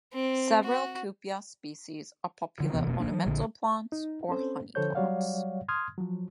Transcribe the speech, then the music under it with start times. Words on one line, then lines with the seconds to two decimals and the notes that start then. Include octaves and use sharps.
Several "Cuphea" species are popular ornamental plants or honey plants.
0.13 C4
0.63 F#4
2.60 D3 F3
2.73 D#2 C3 E3 B3
2.87 F1 B2 A#3 C#4
3.00 D1 A#1 A#3 D4
3.11 E3 F#3
3.26 A#1 D3
3.92 D#4
4.29 C4 C#4 A4 C5
4.75 D3 F3 A4 C5 C#5 G6
4.95 F#3 G3 C#5 D5 F5 F#5
5.68 C6 D#6 F6 G#6
5.98 F3 F#3